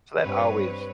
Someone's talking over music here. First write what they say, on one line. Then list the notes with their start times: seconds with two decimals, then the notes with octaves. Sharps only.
So that always
0.20 G2 C4 B4 C#5